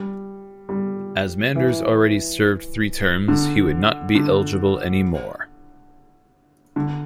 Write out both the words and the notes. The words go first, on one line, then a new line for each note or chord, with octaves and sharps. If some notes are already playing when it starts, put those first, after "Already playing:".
As Manders already served three terms he would not be eligible anymore.
Already playing: G3
G3
E3
D3
D3
D3